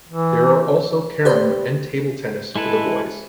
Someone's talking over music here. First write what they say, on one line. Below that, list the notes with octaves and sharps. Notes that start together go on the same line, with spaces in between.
There are also carrom and table tennis for the boys.
E3
G4 B4 C5 D5
G#3 E4 A4 B4